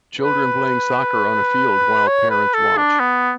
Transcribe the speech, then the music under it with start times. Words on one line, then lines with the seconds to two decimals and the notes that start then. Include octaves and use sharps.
Children playing soccer on a field while parents watch.
0.20 B4
2.07 C#5
2.30 B4
2.54 A4
2.77 D4
3.00 B3